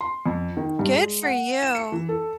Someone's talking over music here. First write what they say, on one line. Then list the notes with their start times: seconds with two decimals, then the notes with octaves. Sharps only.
Good for you.
0.01 C6
0.26 F2
0.57 D#3
0.79 G2
0.93 G#3
1.23 F#5
1.62 E7
1.75 C#7
1.92 E3
2.09 A4